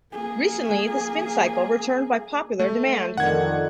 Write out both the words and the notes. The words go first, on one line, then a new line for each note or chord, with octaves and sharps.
Recently the Spin Cycle returned by popular demand.
A#3 G#4
A3
F2 D3 D#3 F#5 G#6